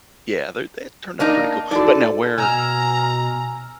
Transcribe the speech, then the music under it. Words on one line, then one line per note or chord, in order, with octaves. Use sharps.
Yeah, they're they had turned out pretty cool. But now where
A#3 D4 D#4
D#4 F#4 A4 D5
B2 G#5 A#5 E6 F6